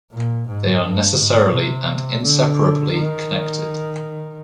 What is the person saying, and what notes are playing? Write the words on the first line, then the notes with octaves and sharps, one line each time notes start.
They are necessarily and inseparably connected.
A#2
G#2
G2
G#2
C3
D3
D#3